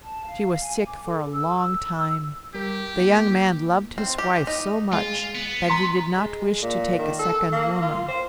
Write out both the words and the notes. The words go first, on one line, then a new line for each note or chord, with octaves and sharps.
She was sick for a long time. The young man loved his wife so much that he did not wish to take a second woman.
A5
F5
G#5
D6
A4
E6
G3 G4 A#4
A#3 E4
C4
G4
D#4
G#3 F4
B3
A#5 C6 B6
G#3
A#2
D#3
A4
A#3
F4
C5